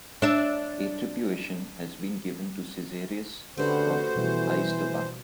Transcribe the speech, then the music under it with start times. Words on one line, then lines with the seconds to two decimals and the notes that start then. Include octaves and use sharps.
Atribuation has also been given to Caesarius of Heisterbach.
0.22 D4 E5
3.58 D3 A3 C#4 F#4 G4 B4 C5
4.16 B2 E3 F3 G3